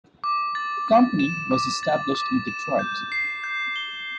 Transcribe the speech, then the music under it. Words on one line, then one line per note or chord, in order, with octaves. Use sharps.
The company was established in Detroit.
D6
A6
D6
E7
D6
A6
D6
E7
G6
C7
G6
G7